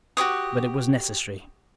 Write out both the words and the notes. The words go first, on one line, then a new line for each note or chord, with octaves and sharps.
But it was necessary.
F#4 G4 C#5 D#6